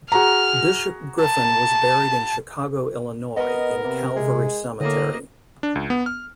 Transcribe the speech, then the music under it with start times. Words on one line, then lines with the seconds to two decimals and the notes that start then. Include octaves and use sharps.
Bishop Griffin was buried in Chicago, Illinois in Calvary Cemetery.
0.12 F#4 G#4 A#5 F6
1.21 A5
3.36 B3 A#4 D#5
3.84 C3 B3
4.16 G#3
4.80 A2 D3 A#3 D#5
5.63 D4
5.75 C#2
5.90 B3
6.06 F6